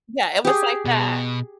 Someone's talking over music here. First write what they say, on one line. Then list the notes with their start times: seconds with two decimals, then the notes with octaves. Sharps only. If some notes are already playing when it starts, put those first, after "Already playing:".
Yeah, it was like that.
0.45 G4 G#4
0.85 B2